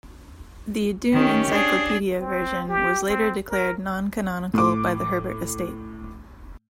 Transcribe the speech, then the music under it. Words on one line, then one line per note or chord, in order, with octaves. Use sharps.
The "Dune Encyclopedia" version was later declared non-canonical by the Herbert estate.
D#3 C#4 G4
D4 G#4
C4
G4
C4
A#4
A2 D6